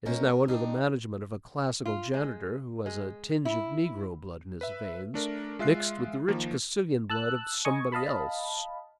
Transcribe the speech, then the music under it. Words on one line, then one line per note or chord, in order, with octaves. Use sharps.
It is now under the management of a classical janitor, who has a tinge of negro blood in his veins, mixed with the rich Castilian blood of somebody else.
G#3 A#3 C#4 A#4 C5 C#5
A#4
C4 D4 D#4
F4
G#3
G#3
E4
B4 E5
A3 D4 A#4
G#3 F4 E5 F#6 C7
D#3 F3 A#3
A5 E6 F#6
D#5 G#5 C#6
D#5 F5 A5 B5